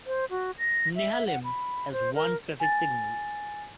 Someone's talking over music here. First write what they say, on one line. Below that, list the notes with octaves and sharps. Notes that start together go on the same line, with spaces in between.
Nehalem has one traffic signal.
C5
F#4
A#6
E5
F#5
B5
C5
A#4
G#5 A6